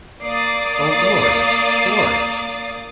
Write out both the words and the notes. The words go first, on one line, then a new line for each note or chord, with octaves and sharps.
Oh, glorious, glorious!
A#3 D5 D#6 A6 C7